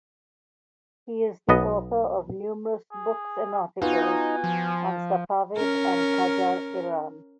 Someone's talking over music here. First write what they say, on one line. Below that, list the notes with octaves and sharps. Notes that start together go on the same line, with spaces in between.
He is the author of numerous books and articles on Safavid and Qajar Iran.
B1 B3 D#5
G#4
B3 D#4 F4 F#4 G#5
F3
C#4 A#4